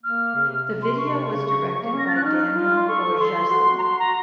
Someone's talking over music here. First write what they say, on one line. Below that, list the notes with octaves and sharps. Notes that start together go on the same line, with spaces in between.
The video was directed by Daniel Borjesson.
A#3 F6
C#3
C3
C3
C6
C3 C#6
C#3
C#3
A#3
C#4
A#6
A6
F#6
D#4 F6
D#4
F4
C6
A4 C#6
A4 C6
F#4
A#5
C6
A#5